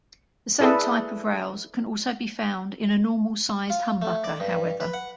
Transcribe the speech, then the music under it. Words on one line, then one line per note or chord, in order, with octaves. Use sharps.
The same type of rails can also be found in a normal-size humbucker, however.
E4 G#4 A4 B4 D5
F4
A3
D5
G2
B4
F#5